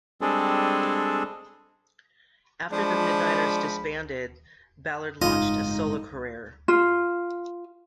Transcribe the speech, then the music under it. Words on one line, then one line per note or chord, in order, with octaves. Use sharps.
After the Midnighters disbanded, Ballard launched a solo career.
G3 G#3 C4 D4 G#4 A4
F3 G#3 D4 B5
F#1 G#2 G#3 D#4 F4 D#5
F4